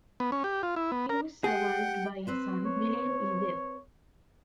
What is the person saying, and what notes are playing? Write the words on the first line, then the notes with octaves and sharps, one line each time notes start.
He was survived by a son, William E. Webb.
B3
C#4
G4
F4
E4
B3
A#4
G4 G#4 F#5 G5
C4 B4 C5
C#5